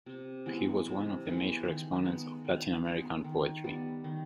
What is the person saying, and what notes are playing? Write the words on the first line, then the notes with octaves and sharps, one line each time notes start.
He was one of the major exponents of Latin American poetry.
C3
E3 G#3 B3
C3
E3 G#3 B3
D#3
G#3 B3
D#3
G#3 B3
D#3
G3 B3
D#3